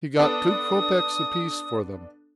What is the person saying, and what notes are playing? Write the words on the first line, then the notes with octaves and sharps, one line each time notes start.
He got two kopeks apiece for them.
B3 D4 A4 D#6